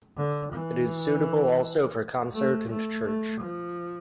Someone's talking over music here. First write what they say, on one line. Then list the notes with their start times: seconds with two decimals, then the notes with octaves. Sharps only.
It is suitable also for concert and church.
0.17 D3
0.53 E3
2.34 A3
2.69 A3
3.05 A3
3.41 F3